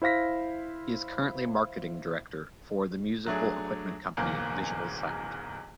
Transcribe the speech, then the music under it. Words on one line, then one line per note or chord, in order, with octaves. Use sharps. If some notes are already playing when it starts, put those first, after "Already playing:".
He is currently Marketing Director for the musical equipment company, Visual Sound.
E4 C5 F5 A#6 B6
F#3 A3 D4 G#4
D1 B1 E2 A#3